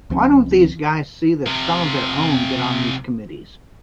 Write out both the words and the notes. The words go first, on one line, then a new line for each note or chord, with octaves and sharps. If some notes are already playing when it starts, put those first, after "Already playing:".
Why don't these guys see that some of their own get on these committees?
C#2 F3 C4 C#4
C3 F3